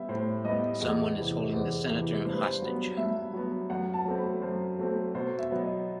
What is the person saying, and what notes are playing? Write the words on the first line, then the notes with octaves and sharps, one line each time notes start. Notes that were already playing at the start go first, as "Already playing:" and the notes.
Someone is holding the Senator hostage.
Already playing: G3 B3 E5
A2 C5
G3 B3 D#5
E2 D#5
C3 E3
E2 C5
C3 E3
G2 C5
B4
C5
F#3 B3
G2 E5
F#3 B3
F#2 F#5
A5
F#3 A3 C4
B5
F#2 C5
F#3 A3 C4
B2 C5
E5
F#3 B3
D#5